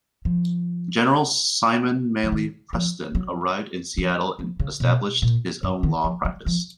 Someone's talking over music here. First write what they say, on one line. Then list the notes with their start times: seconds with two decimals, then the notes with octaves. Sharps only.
General Simon Manly Preston, arrived in Seattle and established his own law practice.
0.25 F3
2.24 F3
2.32 D#3
2.73 F3
3.15 F#3
3.98 F3
4.39 F3
4.60 C#3
4.80 B2
5.22 A#2
5.63 F#2
5.83 D#3
6.04 F3
6.25 F#3
6.46 F3